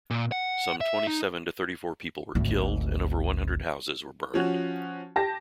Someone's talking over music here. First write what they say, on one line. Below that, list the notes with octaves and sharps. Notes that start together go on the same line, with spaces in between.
Some twenty-seven to thirty-four people were killed and over one hundred houses were burned.
A#2
F#5
E5
D#4
G#1 D2
F3 C#4 F#4
G4 A5 A#6